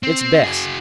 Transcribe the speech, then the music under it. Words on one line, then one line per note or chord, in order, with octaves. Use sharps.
It's best.
C4
F#4 G#4